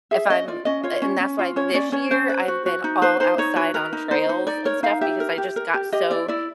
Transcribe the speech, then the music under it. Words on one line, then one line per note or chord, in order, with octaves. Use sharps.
if I'm a and that's why this year, I've been all outside on trails and stuff because I just got so
G#4 E5
C#4 D#5
F4 D5
C#4 D#5
F4 C#5
C#4
C#4
F4
C#4 C#5
C#4 D5
C#4 C#5
C#4 C5
B4
F#4
F#4
D#4
B4 C5
D#4 C5
D#4 C#5
F#4 C#5
A#4 B4
D#4
D#4 C5
D#4
D#4 D5
A#4 C#5
D#4 F5
G4 E5
A#4
G4
A#4
G4
G4 D#5
E4 D5
E4 D5